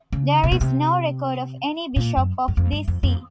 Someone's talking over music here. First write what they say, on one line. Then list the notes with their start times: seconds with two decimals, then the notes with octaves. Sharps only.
There is no record of any bishop of this see.
0.13 C#3
0.44 C3
0.52 B2
0.61 C3
1.96 A#2
2.17 F#2
2.48 F#2
2.57 F2
2.72 G2
2.88 F2
3.03 F2